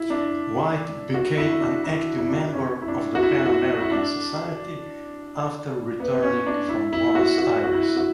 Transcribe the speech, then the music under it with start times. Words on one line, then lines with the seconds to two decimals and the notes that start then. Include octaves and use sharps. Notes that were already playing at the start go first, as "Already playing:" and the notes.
White became an active member of the Pan-American Society after returning from Buenos Aires.
Already playing: E4
0.10 D4
1.14 F#4
1.37 E4
1.61 D4
1.84 E4
2.18 E4
2.29 D4
2.39 E4
2.53 C#4
2.81 E4
2.88 D4
3.15 F#4
3.23 E4
3.46 F#4
3.80 E4
3.92 D4
6.00 B3
6.14 B3
6.23 C#4
6.47 D4
6.69 E4
6.93 E4
7.15 F#4
7.38 F#4
7.64 F#4
7.73 E4
7.97 F#4